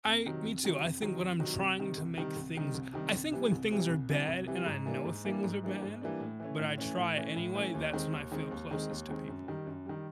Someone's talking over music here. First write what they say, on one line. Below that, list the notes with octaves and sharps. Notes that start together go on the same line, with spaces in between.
I me too. I think when I'm trying to make things I think when things are bad and I know things are bad, but I try anyway, that's when I feel closest to people.
F2
C3 D#3 F#3
F2
C3 D#3 F#3
F2
C3 D#3 F#3
F2
C3 D#3 F#3
C2
C3 D#3 G3
C2
C3 D#3 G3
C2
C3 D#3 G3
C2
C3 D#3 G3
C2
C3 E3 G3
C2
C3 E3 G3
C2
C3 E3 G3
C2
C3 E3 G3
G#2
E3 G3 A#3 D4
G#2
E3 G3 A#3 D4
G#2
E3 G3 A#3 D4
G#2
E3 G3 A#3 D4
A2
E3 A3 C#4
A2
E3 A3 C#4
A2
E3 A3 C#4
A2
E3 A3 C#4
D#2
D#3 G#3 C4
D#2
D#3 G#3 C4
D#2
D#3 G#3 C4
D#2
D#3 G#3 C4
F#2
D#3 G3
F#2
D#3 G3